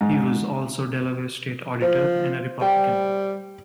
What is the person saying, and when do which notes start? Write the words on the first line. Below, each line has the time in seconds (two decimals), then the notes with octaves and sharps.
He was also Delaware state auditor and a Republican.
0.01 G#2
1.82 F3 C5
2.61 G3 G5